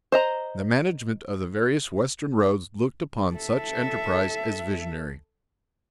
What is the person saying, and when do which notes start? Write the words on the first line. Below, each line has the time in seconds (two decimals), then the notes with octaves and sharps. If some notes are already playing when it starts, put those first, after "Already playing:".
The management of the various western roads looked upon such enterprise as visionary.
0.12 C5 D#5 A#5
3.35 A4 E5